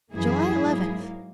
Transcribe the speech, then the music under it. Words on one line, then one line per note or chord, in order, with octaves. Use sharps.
July Eleventh.
F#2 E3 A#3 E4 G#4
G#2 F#3 A#3